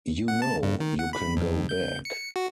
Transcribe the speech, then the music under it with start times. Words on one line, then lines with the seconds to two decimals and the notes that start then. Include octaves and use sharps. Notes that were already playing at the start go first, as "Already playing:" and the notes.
You know, you can go back.
0.28 F#5
0.42 A5
0.63 G2
0.80 D#3
0.99 F#5
1.13 B5
1.37 F2
1.69 G6
2.05 C#7
2.36 F#4